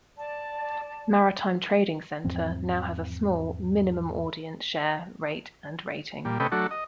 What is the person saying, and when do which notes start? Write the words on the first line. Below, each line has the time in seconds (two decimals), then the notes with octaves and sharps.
Maritime Trading Center now has a small, minimal audience share, rate, and rating.
0.17 D5 A5
2.24 E2 G#2 F3 C4
6.25 A#2 G3
6.40 C3 A3 C#4 B4 D#5 G5
6.52 F#3 A3 D4 F#4
6.71 D#5